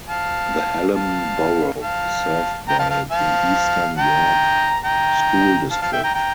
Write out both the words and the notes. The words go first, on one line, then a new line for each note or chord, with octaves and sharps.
The Hallam Borough is served by the Eastern York School District.
F5 A5
F5 A5
F5 A5
G5 A#5
F5 A5
F5 A5
F5 A5
G5 A#5
G5 A#5
F5 A5
F5 A5
E5 G5
G5 A#5
G5 A#5